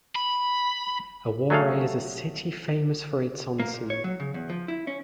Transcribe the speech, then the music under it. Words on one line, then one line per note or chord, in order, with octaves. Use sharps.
Awara is a city famous for its onsen.
B5
F#3 A3 G#4 A4 F5
A#3
A#2
C#5
F#3
C#3
E2
F3
E4
C#4